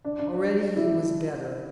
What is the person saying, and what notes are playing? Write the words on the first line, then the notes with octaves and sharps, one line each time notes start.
Already he was better.
D4
D4
E4